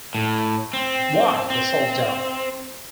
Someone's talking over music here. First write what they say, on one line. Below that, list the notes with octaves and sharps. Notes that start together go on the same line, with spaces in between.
Why the self-doubt?
A2
C4
C4